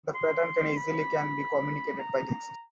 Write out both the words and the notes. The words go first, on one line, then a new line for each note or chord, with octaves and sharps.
The patterns can easily be communicated by text.
C6
B5
A#5